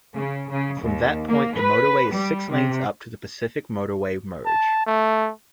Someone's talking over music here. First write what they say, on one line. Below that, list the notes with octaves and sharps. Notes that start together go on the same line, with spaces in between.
From that point the motorway is six lanes up to the Pacific Motorway Merge.
C#3
C#3
D#2
A#3
B4
G3
C3
A5
A3